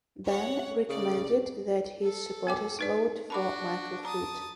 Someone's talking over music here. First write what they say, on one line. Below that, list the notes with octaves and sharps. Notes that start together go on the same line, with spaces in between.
Benn recommended that his supporters vote for Michael Foot.
C#5 F#5
C#3 D5
A4
B3 G5 D6
D#4 B4 D5
D4 F#4 A5 B5 D6
A5 A#5 D#6